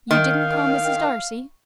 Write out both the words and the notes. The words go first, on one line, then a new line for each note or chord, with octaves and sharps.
"You didn't call Mrs. Darcy?"
D#3 F5